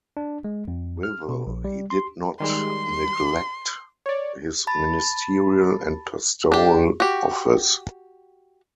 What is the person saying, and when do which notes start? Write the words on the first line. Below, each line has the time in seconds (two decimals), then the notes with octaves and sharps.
Withal he did not neglect his ministerial and pastoral office.
0.17 D4
0.44 G#3
0.68 F2
1.03 F6
1.29 B2
1.47 A#1
1.65 G3
1.90 C6
2.40 D#3 G3 G#3 C6
4.06 C#5 D5
4.67 A5 B5 A6
6.52 D4 G4
7.00 F#4 G4